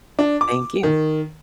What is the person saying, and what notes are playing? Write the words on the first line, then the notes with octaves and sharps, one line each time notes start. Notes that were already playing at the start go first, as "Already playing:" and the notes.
Thank you.
D4
D6
D#3